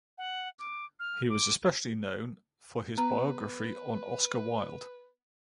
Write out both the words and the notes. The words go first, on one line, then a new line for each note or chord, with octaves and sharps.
He was especially known for his biography on Oscar Wilde.
F#5
D6
F6
D6
B3 B4 A#5